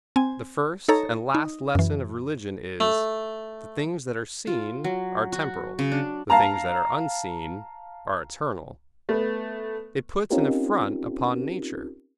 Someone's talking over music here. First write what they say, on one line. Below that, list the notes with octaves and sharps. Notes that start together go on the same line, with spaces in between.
The first and last lesson of religion is, "The things that are seen, are temporal; the things that are unseen, are eternal." It puts an affront upon nature.
C4 G#5
D#4 A4 C#5 A#5
D#4
F#2 E3
A3
F4
F#3
F#4
C#3
D4
F5 A5 A#5
A3 B3
C4 C#4 D#4 F4 G4 A#4